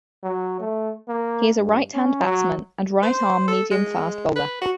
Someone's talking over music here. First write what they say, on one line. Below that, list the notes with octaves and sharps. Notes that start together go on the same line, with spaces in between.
He is a right-hand batsman and right arm medium-fast bowler.
F#3
A3
A#3
G2
C#4
F#3
C5
A4
G#3
B4
F#4